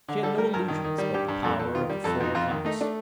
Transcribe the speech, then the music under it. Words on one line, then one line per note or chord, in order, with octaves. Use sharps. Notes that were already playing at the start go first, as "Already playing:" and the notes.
She had no illusions about the power of the former class.
D3
G3 A4
G3 A#4
G2 A#4
D#3
D#3
G3
G2 G4
G2
F2 A4
F2 A4
D#3 F4
G3
F2 A4
F2 D#4
F2 F4
D#3
A3 D#4
A3 D4